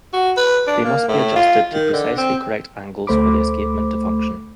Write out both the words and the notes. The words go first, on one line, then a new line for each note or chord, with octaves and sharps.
They must be adjusted to precisely correct angles for the escapement to function.
F#4
B4
D4
A#3
A2
F4
D#3
D3
C4
D2 A3 C5 B5 D6